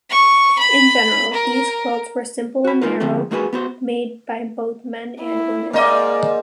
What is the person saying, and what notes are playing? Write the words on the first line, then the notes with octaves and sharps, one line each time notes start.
In general, these quilts were simple and narrow, made by both men and women.
C#6
B5
A#4
F#4 B5
G#3 D#4 F4 A#4 B4
D3 F3 G#3 C4 C#4
G#3 A#3 E4 F#4 G#4 B4
B3 F#4 C5
E4
G#2 A#3 D#4 D5 D#5 F5